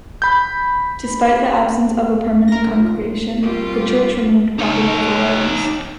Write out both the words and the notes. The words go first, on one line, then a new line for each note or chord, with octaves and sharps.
Despite the absence of a permanent congregation, the church remained popular for weddings.
B5 G6
C2
C#4 A#4 A#6
B1
F4
B2 G3 B3 C4 F4 G4 A#4
D#4 C#5